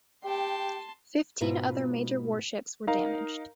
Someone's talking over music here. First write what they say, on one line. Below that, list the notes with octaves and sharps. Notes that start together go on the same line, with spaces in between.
Fifteen other major warships were damaged.
G4 G5 A5 C6
G#2 B2 F4 B4
D#4 A#4 F5 A#5